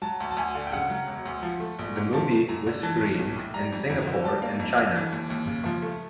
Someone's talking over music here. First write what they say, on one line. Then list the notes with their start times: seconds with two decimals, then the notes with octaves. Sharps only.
The movie was screened in Singapore and China.
0.02 F#3 A5
0.20 D2
0.31 A5
0.37 D2 G#5
0.55 D3
0.67 G5
0.72 C#3 F#5
0.90 F#3
1.08 E1
1.26 D2
1.43 F3
1.60 A3
1.79 A#1
1.96 G#2
2.13 F3 A5
2.31 A3
2.49 F#2 A#5
2.67 D3
2.83 E3 A5
3.01 B1
3.19 B1
3.36 A2
3.54 G3 A#5
3.72 F2
3.90 F2
4.07 D3
4.24 G3 A5
4.42 A#3
4.60 F2
4.77 D3
4.95 E3
5.13 D#2
5.30 D#2
5.47 C#3
5.66 F3
5.82 A3